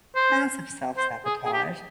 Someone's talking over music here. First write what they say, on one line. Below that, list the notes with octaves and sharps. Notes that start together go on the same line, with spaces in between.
massive self-sabotage.
C5
C5
G#4
G#4
G4